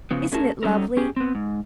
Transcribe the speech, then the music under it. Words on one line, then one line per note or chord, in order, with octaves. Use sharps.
Isn't it lovely?
C#3 F3 B3
A3 C#4 G#4 A#4 A5
F#3 G3 C#4 D#4 A4 A#4
C#4 G4 G#4
B3 C4
G#2